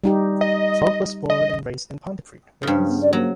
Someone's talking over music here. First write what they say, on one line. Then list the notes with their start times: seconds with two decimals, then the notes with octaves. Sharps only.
Volk was born and raised in Pontypridd, Wales.
0.04 G3 D#4 G4
0.41 D#5
1.30 D#5
2.63 G2 C#3
2.75 F#3
2.88 B3
3.01 D5
3.13 F#3 A#3